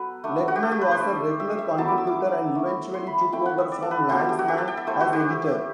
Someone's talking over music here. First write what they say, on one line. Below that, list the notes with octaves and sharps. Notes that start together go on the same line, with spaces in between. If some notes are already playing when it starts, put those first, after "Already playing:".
Legman was a regular contributor and eventually took over from Landesman as editor.
Already playing: F#3 B3 A4 B4
A3 D4
F#4
G4
A4
G4
B4
C5
A3 D4
E5
E5
F#3 B3 E4 A5
D6
E6
D6
A3 E4
C6
B5
A5
A3 C4 E4 G5
F#5
E5
D5
A4
B4
F#3 B3 D4 C5
A4
G4
F#4
G4
A4
G5
E5
A3 E4 C5
F#4
G4